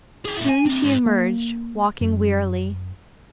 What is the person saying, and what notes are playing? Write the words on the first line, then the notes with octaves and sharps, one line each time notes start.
Soon she emerged, walking wearily.
G#4 G5
A#2 E4
G#5
D3 C4
G#2
A#3
F#2